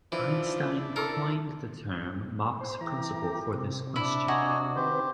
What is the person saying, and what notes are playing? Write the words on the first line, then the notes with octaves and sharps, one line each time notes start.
Einstein coined the term Mach's principle for this question.
E3 F3 D4 E4
A4 A#4
C5
E3 G4 A#5
C3
D4 E4
F#4 D#5 G#5 A#5
D#3 C4 G4 B4 C5